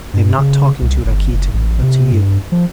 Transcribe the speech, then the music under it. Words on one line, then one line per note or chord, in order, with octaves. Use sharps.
I am not talking to Rakitin, but to you.
G2
C#3
C2
G1
F#1
A1
C3
G2
F3